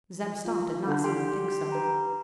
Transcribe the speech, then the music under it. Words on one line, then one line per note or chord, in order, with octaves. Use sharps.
Zeb Stump did not seem to think so.
F4
D3 D4
G4 G5 C6
B4 A#5